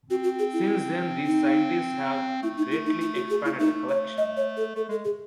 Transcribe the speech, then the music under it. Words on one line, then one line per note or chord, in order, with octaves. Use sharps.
Since then these scientists have greatly expanded the collection.
C4 F#4
F#4
G#4
E4
D#4
A3 E4
D#4
E4
D#4
E4
F#4
G#4
E4
A3 D#4
C#5
D#5
C#5
A4
A3 A4
G#3 A4
G#4